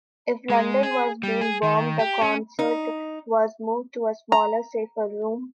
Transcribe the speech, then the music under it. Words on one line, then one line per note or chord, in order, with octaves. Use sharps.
If London was being bombed, the concert was moved to a smaller, safer room.
G#3
G#4
G3
G#4
D#3
G4
C#4
D#4
A#5